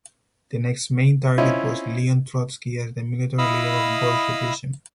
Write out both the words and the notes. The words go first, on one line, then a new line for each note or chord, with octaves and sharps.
The next main target was Leon Trotsky as the military leader of Bolshevism.
C4 C#4 E4 F4 D#5
E4 D#5 F5 B5 D#6 E6